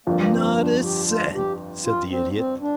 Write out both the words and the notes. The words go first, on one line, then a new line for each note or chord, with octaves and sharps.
"Not a cent," said the Idiot.
G1 F2 F3 A#3
A#3
C4
D4
G4
F4
G4
F4
C4
C4
D4